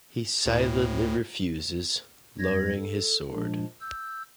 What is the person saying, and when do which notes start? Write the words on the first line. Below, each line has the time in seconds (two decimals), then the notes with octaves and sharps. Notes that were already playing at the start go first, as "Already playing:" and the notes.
He silently refuses, lowering his sword.
0.46 D2 A2
2.39 F2 F#3 G3 G#6 A#6
2.76 A4
3.30 A#2 F3 G#3 D4
3.80 E6 G6